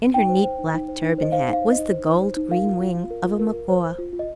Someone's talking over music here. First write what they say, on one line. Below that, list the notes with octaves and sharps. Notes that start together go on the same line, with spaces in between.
In her neat black turban hat was the gold-green wing of a macaw.
D#4 G5
C5
C5
D#4
D#4
C5
D#4
C5 D#5
C5 F5
D#4 F5
C5
D#5
D#4
C5
D#4
C5
D#4
A#4 F5
F4
F4
F4
A#4
F4
A#4
A#4
C5
C5
F4
F4
D#5